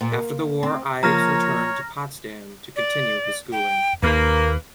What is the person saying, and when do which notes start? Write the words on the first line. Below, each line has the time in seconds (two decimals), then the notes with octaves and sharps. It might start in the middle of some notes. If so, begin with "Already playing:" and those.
After the war Ives returned to Potsdam to continue his schooling.
0.01 A#2
0.12 A#3
0.63 C4
1.03 F3 A#3 C#5 A#5 F6 A#6
2.76 D5
3.52 G5
4.03 D#2 A#3 B4